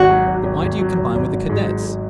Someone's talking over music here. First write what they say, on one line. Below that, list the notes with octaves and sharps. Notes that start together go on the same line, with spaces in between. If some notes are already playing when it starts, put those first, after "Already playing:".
"But why do you combine with the Cadets?"
Already playing: G#1 F#4
F#3
G#1
G#1
G#1
F#3
G#1
G#1
G#1
G#2
F#3
G#2